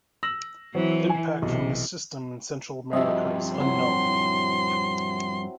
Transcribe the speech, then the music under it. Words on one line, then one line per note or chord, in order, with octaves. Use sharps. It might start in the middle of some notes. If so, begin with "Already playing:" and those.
Impact from this system in Central America is unknown.
E6 A#6 F#7
E3 F#3 C4
G#5
B1 C3
G2 F3 C4 F#4 G4 D#5 E5
F#3 C4 E4 C6